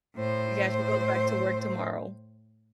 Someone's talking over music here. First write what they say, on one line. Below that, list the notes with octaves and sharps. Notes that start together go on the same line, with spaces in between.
Yeah, she goes back to work tomorrow.
A2 C5